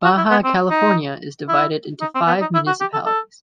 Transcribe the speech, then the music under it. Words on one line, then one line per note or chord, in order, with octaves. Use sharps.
Baja California is divided into five municipalities.
F#4
E4
B3
C4
D#4
E4
D#4
C4
B3
D#4
E4
F#4
G4
A4
A4